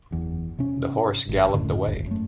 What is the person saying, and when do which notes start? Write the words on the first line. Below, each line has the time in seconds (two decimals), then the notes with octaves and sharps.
The horse galloped away.
0.11 F#1 E2
0.59 C3 C#4
1.29 G#1
1.54 D#1 F#2 A2 D3
1.86 D#1 G#1 F2
2.07 F#2 A3